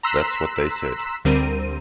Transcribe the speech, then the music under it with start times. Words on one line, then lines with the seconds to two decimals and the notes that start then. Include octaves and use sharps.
That's what they said.
0.03 A#5 C6 E6 F#6 B6
1.25 D2 D3 G3 C4 A#4 D#7